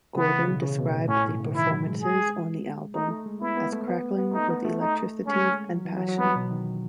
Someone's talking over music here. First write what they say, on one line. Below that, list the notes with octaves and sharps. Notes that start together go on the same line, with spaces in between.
Gordon described the performances on the album as "crackling with electricity and passion".
C#3 B3
E3
C#3
B2
C#3
B2
A2
A2 C#4
B2
C#3
E3
D#3 E4
F#3
G#3
G#4
A3 D#4
A3
G#3
B3 E4
B3
A3
B3
A3
B3
A3 D#4
B3
A3
D#4
G#3 C#4
F#3
E3
F#3
F#3
B3
B2
D#3